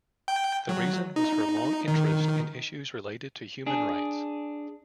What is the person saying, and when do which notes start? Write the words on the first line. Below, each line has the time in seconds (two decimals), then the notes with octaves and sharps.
The reason was her long interest in issues related to human rights.
0.28 G5
0.69 F#3
1.16 D#4
1.88 D#3
3.66 D4 G#4